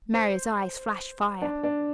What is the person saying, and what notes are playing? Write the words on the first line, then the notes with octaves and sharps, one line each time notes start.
Mary's eyes flashed fire.
C5
D4
D4